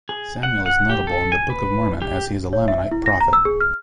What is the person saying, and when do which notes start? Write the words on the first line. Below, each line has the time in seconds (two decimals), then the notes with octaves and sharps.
Samuel is notable in the Book of Mormon as he is a Lamanite prophet.
0.09 G#4
0.43 F#5
0.66 F#5
0.90 G4
1.07 A4
1.32 G#5
1.50 B4
2.02 G4
2.53 C#5
2.68 E5
2.92 E4
3.06 A#6
3.21 A#5
3.33 E6
3.45 G#4
3.60 F6